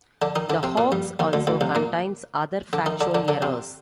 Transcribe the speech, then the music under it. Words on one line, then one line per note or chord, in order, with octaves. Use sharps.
The hoax also contains other factual errors.
D3 D4
D#3 D#4
D3 D4
C3 C4
A#2 A#3
G2 G3
D#2 D#3
D2 D3
D2 D3
C2 C3
A#2 A#3
D3 D4
D#3 D#4
D3 D4
D3 D4
D3 D4
C3 C4